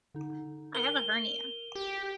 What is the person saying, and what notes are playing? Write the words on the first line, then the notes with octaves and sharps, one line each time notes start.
I have a hernia.
D3 D#4
A#4 D#7 F7 G7
G4